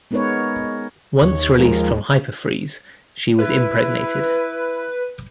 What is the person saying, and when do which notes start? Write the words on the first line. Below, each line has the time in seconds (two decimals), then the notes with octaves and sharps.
Once released from Hyperfreeze she was impregnated.
0.11 G#3 B3 D#4 A#4 B4 C#5
1.22 D#2 C#5
1.59 F3 G#3 A#4
3.39 E4 B4